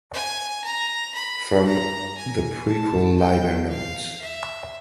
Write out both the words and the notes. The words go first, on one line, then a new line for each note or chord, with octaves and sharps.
From "The Prequel" liner notes.
G#5
A#5
B5
A#5
G#5
A5
G5
F5
E5